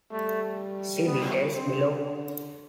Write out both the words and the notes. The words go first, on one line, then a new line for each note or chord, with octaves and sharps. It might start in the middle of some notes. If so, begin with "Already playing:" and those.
See details below.
G3 A3
B3
D3 C4